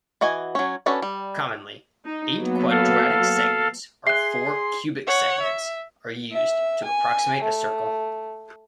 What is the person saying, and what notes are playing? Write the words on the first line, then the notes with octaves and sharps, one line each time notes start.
Commonly, eight quadratic segments or four cubic segments are used to approximate a circle.
E3 F#4 D#5 G#5
F#3 C#4
C#4 D4 F#4 A4 B4
G3
D#4
F#3 A#3 B3
A4 F5
G#4 E5 C6 F#6 C7
C#5 F#5
E5
E5
G#5
A3